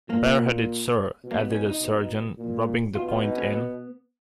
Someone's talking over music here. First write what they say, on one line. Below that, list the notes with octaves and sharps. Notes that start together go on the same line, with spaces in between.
"Bareheaded, sir," added the sergeant, rubbing the point in.
A#2 A#3
B2
A#3
B3
C#4
D#4
B2
A#2
B2 F4
F4
D#4
C#4
B3